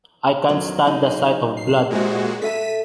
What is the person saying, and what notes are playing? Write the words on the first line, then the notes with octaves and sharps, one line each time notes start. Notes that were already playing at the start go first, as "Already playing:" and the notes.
I can’t stand the sight of blood.
F2 D#3 F#3
F#3 D#4 G#4
C7
A#2 G#3 E4 F#4 G4 C5
A4 E5 A5 B6 D#7